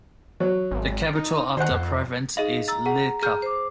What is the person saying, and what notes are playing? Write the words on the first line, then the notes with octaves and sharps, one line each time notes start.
The capital of the province is Llica.
F#3
G#1
D#4
D#3 C5 F#5
F2
D#4 G#4 D#5 F5
A#5 E6 A6
G#4 F#5
G#4 F6 G6
C5 D6